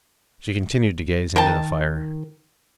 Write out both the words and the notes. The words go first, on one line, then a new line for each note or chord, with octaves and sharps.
She continued to gaze into the fire.
D#3 A#4 G5 A5